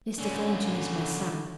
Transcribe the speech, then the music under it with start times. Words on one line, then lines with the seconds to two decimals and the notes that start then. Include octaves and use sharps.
Mr. Thornton is my son.
0.18 D3 C#4